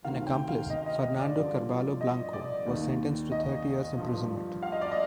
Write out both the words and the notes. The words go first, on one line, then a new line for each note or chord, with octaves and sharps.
An accomplice, Fernando Carballo Blanco, was sentenced to thirty years' imprisonment.
D2 C3 D#3 F5
G5
F5
D#5
D#5
D#5
D5
G2 D3 F3
D#5
D5
D#2 D#3
D#5
G2 F3
F5
D#5
D5
D#5